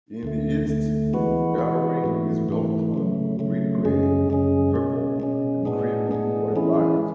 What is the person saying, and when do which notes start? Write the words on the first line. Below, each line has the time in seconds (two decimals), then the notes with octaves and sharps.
In the east, Gowrie is built on green-grey, purple and cream rhyolite.
0.23 D2 D3 A3
0.68 D2 D3 A3
1.13 E3 G#3 B3 F#4 B4
1.58 E3 G#3 B3 F#4 B4
2.04 G#2 E3 A3
2.49 G#2 E3 A3
2.94 C#3 F#3 A3
3.39 C#3 F#3 A3
3.85 F#2 C#3 G#3 C#4 G#4
4.30 F#2 C#3 G#3 C#4 G#4
4.75 B2 G#3 C#4
5.20 B2 G#3 C#4
5.65 A2 G#3 B3 D4 G#4
6.11 A2 G#3 B3 D4 G#4
6.56 E3 G#3 C#4 E4 G#4